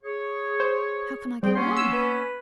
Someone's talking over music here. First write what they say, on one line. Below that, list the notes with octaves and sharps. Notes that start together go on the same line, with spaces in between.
How can I go on?
G#4 C#5
C5
G3 C4 G#4 G5
A#3 B3 C#4 C6
E6
B4